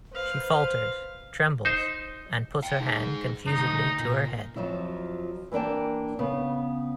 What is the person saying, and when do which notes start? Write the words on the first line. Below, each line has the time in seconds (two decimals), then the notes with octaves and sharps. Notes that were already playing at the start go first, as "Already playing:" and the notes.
She falters, trembles, and puts her hand confusedly to her head.
0.13 B4 C5 F5
1.65 D#4 C5
2.63 F5 G5
2.80 D#4 G#4
3.46 D2 G2 D#4
3.99 A#2
4.56 F2 F3 F#3 E4
5.52 E3 A#3 D4 G5 A5
6.19 C#3 B3